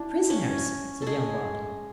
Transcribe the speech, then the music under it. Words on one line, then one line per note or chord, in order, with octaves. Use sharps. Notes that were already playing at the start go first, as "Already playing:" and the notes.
"Prisoners!" said young Robin.
Already playing: D4 E4
C#4 C#5
G#3 G#4 A4